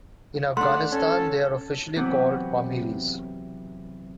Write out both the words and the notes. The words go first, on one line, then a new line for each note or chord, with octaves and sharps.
In Afghanistan, they are officially called "Pamiris".
A3 D4 F#5 C6
C#4 A4
C3 E3 F#3 B3